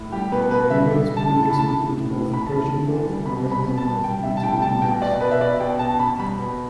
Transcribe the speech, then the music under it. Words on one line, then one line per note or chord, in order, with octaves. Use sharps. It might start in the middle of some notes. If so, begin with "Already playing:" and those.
Google had previously put both Persian Gulf and Arabian Gulf on its Google Maps.
Already playing: A2
G3 G4
B2 B4
B2 B4
G3 E5
G3
G3
A5
A2
A5
A2 B5
A5
A2
A2
A2
A2
B5
A2 A5
A2
E3
G3
B2 B5
G3
B5
B2
A5
G3
G3 G5
G3 E5
A5
A2 G5
G5
G3 A5
B2 G5
B2 D5
B2 B4
E5
B2 D5
B2 G5
B2 A5
B2 B5
G3 B5
B2